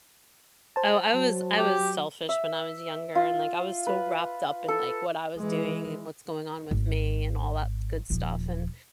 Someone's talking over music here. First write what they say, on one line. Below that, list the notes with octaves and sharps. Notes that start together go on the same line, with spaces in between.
Oh, I was I was selfish when I was younger, and, like, I was so wrapped up in, like, what I was doing, and what's going on with me, and all that good stuff, and,
C5 A5
F#3
G4
E5
F4
B4
A4
E3 G#3
G#1
D#1 F3